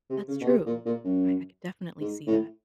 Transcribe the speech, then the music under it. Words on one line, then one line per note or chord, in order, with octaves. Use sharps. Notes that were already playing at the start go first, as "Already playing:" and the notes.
That's true. I I could definitely see that.
C3
C#3
B2
C3
A#2
A#2
F#2
G#2
A2